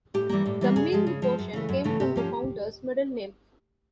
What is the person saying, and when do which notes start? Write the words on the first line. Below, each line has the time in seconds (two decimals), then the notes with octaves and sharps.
The Ming portion came from the founder's "middle name".
0.14 A2 G4
0.29 E3 G3 A#3
0.46 A2
0.61 E3 G3 A#3
0.76 C#3 G#4
0.92 F3 G#3
1.07 C#3
1.22 F3 G#3
1.39 F#2
1.53 C#3 E3 A3
1.69 F#2
1.84 C#3 E3 A3
2.00 C3 G4
2.16 F3 A#3 C#4